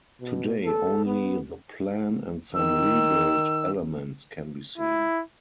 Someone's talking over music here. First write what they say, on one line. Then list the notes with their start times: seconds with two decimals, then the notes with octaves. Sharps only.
Today only the plan and some rebuilt elements can be seen.
0.21 B2
0.65 A4
1.05 B3
2.54 D#3 E6
4.78 E4